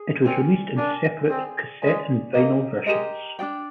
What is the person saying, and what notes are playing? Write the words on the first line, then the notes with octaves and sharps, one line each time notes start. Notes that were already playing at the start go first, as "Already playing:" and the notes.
It was released in separate cassette and vinyl versions.
Already playing: G#4
C4 A#4 D5 G#5
D4 A#4 D5 G#5
C4 G#4 D5 G#5
G#3 G#4 D5 G#5
A#3 G4 A#4 D#5
G#3 G4 A#4 D#5
D4 G#4 D5 G5